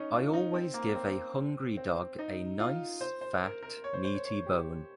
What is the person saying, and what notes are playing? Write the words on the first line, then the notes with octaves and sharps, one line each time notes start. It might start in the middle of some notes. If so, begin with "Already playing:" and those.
I always give a hungry dog a nice, fat, meaty bone.
Already playing: C#4 D#4
F4
D#4
C4
A#3
C4
C4
D#4
F4
C5
C5
A#4
A#4
C#5
C5
C5
C#5
C#5
G4